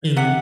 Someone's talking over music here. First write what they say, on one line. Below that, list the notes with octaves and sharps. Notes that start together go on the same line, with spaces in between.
You know?
C3 F#5